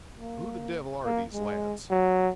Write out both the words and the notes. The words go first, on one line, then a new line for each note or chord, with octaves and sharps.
Who the devil are these lads?
A#3
A#3
G#3
F#3